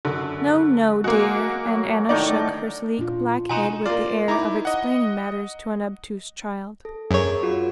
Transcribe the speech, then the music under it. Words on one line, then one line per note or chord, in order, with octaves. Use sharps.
"No, no, dear," and Anna shook her sleek black head with the air of explaining matters to an obtuse child.
F#2 D3
G#3 A#3 F#4
F#3
A2 D3 D#3 D#4 D5
A#2 D4 F4
B2 D#4 F#4 G#5 C6 E7
A#3 F4 D5
D#4 E4 A#5 D6
D#5 F#5
A4
F#2 G#4 A#4 C#5
F4 F#4